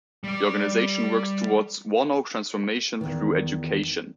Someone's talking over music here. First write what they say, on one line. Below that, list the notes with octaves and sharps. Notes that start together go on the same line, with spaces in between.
The organisation works towards 'whanau transformation through education'.
G3 D5
E2 D#3